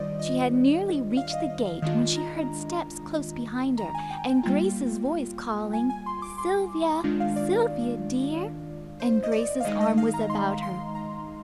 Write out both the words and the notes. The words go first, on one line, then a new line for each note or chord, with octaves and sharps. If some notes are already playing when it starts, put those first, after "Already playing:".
She had nearly reached the gate when she heard steps close behind her and Grace's voice calling: "Sylvia, Sylvia, dear," and Grace's arm was about her.
Already playing: D#3 G3 D4 F4 C5 D5 D#5
D#5
F5
D#5
D#5
F5
D#3 G#3 D4 F4 D#5
A#5
A#5
G#5
G5
G5
G3 A#3 F4
G#5
G#5
C6
D6
C6
D#3 G#3 D4 F4
F5
D5
C5
D#5
D5
F5
D#3 G#3 D#4 D#5
D#5
F5
A#5
C6
C6
A#5